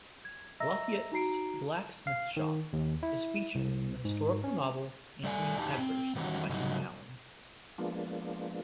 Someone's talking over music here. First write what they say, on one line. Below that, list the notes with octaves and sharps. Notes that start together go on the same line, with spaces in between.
Lafitte's Blacksmith Shop is featured in the historical novel "Anthony Adverse" by Hervey Allen.
G#6
D#5 E5 A#5 E6 A#6
D#4 F#4 A#5 C7 D7
F5
D#3
D#2
E4
C2
G#2
C#4
G3 A3 D5 F5 G#5
E2 D3 D#4 G4 A5
C4
D#3 E3 G3 C#4 F#4
G#2 C#3 F#3 G3 D#4 F#4
F3 G#3 A#3 B3 D4 F4